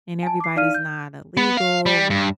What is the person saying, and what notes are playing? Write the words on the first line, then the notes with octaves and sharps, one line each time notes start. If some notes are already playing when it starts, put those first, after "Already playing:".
and everybody's not illegal, and
G#5 A5
D6 C7
D#4 D5 F5 F6 D#7
G6
B3
F5
G3
G2